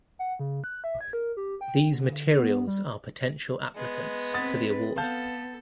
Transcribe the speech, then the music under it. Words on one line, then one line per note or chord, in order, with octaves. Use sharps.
These materials are potential applicants for the award.
F#5
C#3
F#6
E5
G#6
A#4
G4
G5
D3
B3
G3
G#3 B3
C4 B4 F#5 D#6 A6
B3 A4 F5 A5 G6